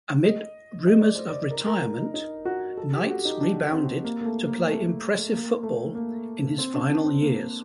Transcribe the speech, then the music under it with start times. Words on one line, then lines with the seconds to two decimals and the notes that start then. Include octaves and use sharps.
Amid rumours of retirement, Knights rebounded to play impressive football in his final years.
0.24 D#5
0.87 D#5
1.01 D5
1.15 C5
1.28 D5
1.51 A#4
1.66 A#4
1.82 A#4
1.98 D#4
2.14 D#4
2.45 F#4
2.77 A4
2.93 G4
3.09 F#4
3.25 D#4
3.41 D4
3.72 C4
4.04 A#3
4.21 A#3
4.25 A3
4.47 A#3
4.68 A3
5.32 A#3
5.63 A3
5.95 A#3
6.58 C4
6.74 D4
6.90 D4
7.06 C4
7.22 A#3